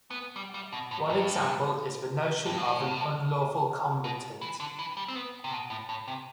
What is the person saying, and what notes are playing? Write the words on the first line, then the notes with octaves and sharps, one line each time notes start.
One example is the notion of an unlawful combatant.
B3
G3
G3
B2
A2
G2
G2
A2
B2
E3
D3
E3
G3
C4
B3
C3
B2
A2
A2
C3